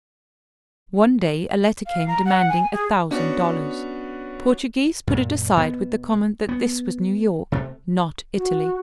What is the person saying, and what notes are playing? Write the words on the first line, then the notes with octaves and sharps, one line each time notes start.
One day a letter came demanding a thousand dollars. Portoghese put it aside with the comment that this was New York, not Italy.
F5
A#5
F#5
G#5
G#4
B3 C#4 D4 F#4
F#2 A#2
B2 B3
B3
C3 A3
F#4